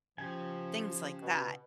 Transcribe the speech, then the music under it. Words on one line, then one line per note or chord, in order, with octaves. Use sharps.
things like that.
C#3 F3 G4 G#5
B2